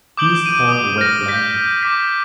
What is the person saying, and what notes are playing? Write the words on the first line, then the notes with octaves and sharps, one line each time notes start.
He is called a wet blanket.
D6 D#6 G6 D7 F#7 G7
D#7
D6 D#6
F6 A#6
G6 A#6 B6
D6 B6